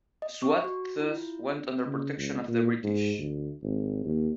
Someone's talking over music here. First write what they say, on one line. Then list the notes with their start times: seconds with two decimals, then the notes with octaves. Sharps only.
Swat thus went under protection of the British.
0.22 D#5
0.42 C#6
0.64 F#4
1.00 E4
1.14 F4
1.86 C#3
2.17 C#2
2.48 A#2
2.83 G#2
3.19 D2
3.63 G#1
4.04 D#2